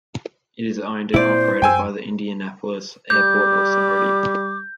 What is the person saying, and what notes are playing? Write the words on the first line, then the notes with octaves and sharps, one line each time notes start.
It is owned and operated by the Indianapolis Airport Authority.
A#2 A#3 C4 E4 C5 D5
F#2 G5 G#5 E6
G3 D6 G6